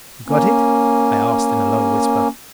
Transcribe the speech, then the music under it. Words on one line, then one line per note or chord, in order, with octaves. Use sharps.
"You got it?" I asked in a low whisper.
A#3 C#4